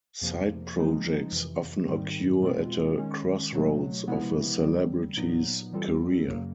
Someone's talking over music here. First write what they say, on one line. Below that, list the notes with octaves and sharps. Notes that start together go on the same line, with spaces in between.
Side projects often occur at a crossroads of a celebrity's career.
F2 C3 F3 A#3
F3 G#3 C4 D#4
F2 C3 E3
G#2 D#3 G3 C4
B2 G#3 C4 F4
D#3 G#3 C#4
B2 F#3 A3
C3 F3 G#3 B3 E4
D3 G3 C4
A#2 F#3 B3 D#4
E3 G3 C4 F4 A4
F#2 C#3 F#3 A#3